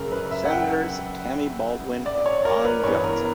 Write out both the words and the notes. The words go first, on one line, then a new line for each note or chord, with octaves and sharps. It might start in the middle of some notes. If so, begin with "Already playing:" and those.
Senators Tammy Baldwin and Ron Johnson.
Already playing: F#2 C#3 F#3 A#4
B4
E5
F#5
G5
D5
C#5
A#4
B4
G2 E3 B3 C#5
A#4